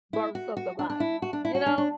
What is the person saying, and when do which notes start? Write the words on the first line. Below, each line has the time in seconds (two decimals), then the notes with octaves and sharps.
verse of the Bible, you know?
0.13 E4
0.35 F#4
0.57 F#4
0.79 D4
0.90 D4
1.00 E4
1.22 F#4
1.33 D4
1.45 E4
1.55 F#4
1.66 D4
1.78 D4